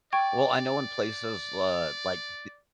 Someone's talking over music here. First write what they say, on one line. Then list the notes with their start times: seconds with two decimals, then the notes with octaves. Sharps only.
Well, I know in places, uh, like d
0.13 D5 G5 C#6 G#6